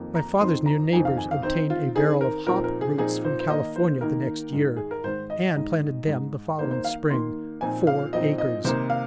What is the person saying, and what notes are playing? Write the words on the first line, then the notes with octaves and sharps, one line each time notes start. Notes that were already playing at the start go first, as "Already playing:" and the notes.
My father's near neighbors obtained a barrel of hop roots from California the next year, and planted them the following spring--four acres.
Already playing: F2 D#3 A#3 D#4
A#5
F2 D#3 C4 D#4 C6
A#5
F2 D#3 C4 D#4 G#5
F5
G#5
F5
D#3 C4 D#4 C5
F4
D#3 C4 D#4 G#4
A#4
A#2 F3 C4 D#4 A#4
A#4
G#4
A#2 F3 C4 D#4 G#4
C5
C5
D#3 A#3 D#4 D#5
C5
D#3 A#3 D#4 A#4
G#2 D#3 G#3
G#4
A#4
G#2 D#3 G#3 C5
D#5
G#2 G#3 D#4
G#2 G#3 D#4
D#3 A#3 D#4 C5
C5
F5
D#3 A#3 D#4 C6
A#2 F3 C4 D#4 G#5
F5
A#2 F3 C4 D#4 D#5
D#5
C3 D#3 A#3 D#4 C5
F5